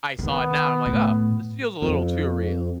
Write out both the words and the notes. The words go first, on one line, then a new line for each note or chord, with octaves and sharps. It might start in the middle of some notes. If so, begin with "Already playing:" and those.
I saw it now. I'm like, "Oh, this feels a little too real."
D#3 B3
A2
F2